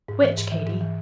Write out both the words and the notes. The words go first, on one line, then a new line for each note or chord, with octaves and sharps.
"Which, Katy?"
G#2
E3
G#2
E3
G#2
E3